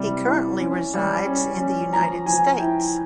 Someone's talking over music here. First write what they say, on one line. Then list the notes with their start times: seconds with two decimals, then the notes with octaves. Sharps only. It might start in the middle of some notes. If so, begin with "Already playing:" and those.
He currently resides in the United States.
Already playing: C3 G3 E4
0.26 E4
0.60 C#4
0.94 G3
1.26 C#4
1.59 C#4
1.93 F3 A#5
2.26 F3 G#5
2.59 E4 G5